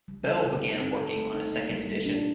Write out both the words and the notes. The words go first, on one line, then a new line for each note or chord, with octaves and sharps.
Bell began working on a second edition.
G3
A4
D3
D#4
C4
A4
A3
D#4
A#3
G3
G3
D4